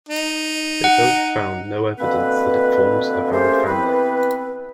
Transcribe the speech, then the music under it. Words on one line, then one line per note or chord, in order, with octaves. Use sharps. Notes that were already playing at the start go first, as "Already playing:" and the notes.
They both found no evidence that it forms a valid family.
D#4
F#5
B2 D3 A#3 C4 B4
A3 A#3 C#4 G4 G#4 C5
E3 B3 C4 B4